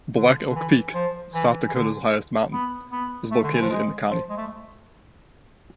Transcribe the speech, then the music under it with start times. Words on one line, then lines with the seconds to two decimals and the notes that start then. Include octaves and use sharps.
Black Elk Peak, South Dakota's highest mountain, is located in the county.
0.16 D3
0.50 D3
0.55 E3
0.94 F3
1.34 E3
1.68 E3
1.74 D3
2.52 B3
2.92 B3
3.31 A3
3.44 D3
3.53 E3
3.61 F3
3.70 G#3
4.10 F3
4.30 G#3
4.37 A3